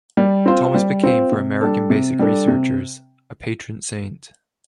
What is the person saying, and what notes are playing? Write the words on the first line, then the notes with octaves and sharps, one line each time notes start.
Thomas became for American basic researchers a patron saint.
G3
C4 F4 C5
G3
C4 F4 C5
C3
G3 D4 A4
C3
G3 D4 A4
C3